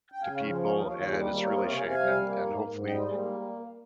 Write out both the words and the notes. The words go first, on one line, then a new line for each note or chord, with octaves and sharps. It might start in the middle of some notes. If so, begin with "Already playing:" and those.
to people, and it's really a shame. And and, hopefully,
G5
C#3 F5 G#5
C#5 F5
F3
G#4 C5
D#2 A#4 C#5
C5 D#5
D#2 C#5 F5
C#5 F5
G3 F4 G#4
D#4 G4
A#3 C4 D#4
A#4 C#5
C3 C5 D#5
C#5 F5
C3 F5 G#5
F5 G#5
G3
A#3
G#2
G#2
G3 D#5 G5
C5 D#5
A#3 G#4 C5